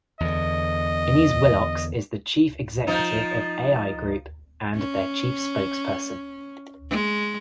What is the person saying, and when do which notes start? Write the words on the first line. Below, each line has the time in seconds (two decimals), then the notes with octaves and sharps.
Innes Willox is the Chief Executive of Ai Group and their chief spokesperson.
0.20 E2 D3 D#5
2.87 F3 D#4
4.76 C#4
6.90 G#3